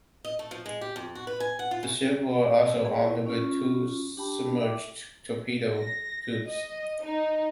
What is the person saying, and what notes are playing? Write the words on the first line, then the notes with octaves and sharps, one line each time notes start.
The ships were also armed with two submerged torpedo tubes.
D#5
A3
F3
G#3
G4
F2
F#4
B4
G#5
F#5
F4
C#3
G#4 C#5 G5 A5
E4 A#4
C#4 F4
D4 G4 G5 A5 B5
A4 E5 G5 D6
A#6
D#5
D#4